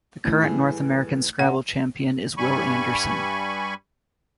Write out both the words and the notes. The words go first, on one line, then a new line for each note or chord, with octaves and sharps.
The current North American Scrabble Champion is Will Anderson.
A2
E3 G3 G#4
B2 C#4 F#5
G2 G3 G#5 B5 C#6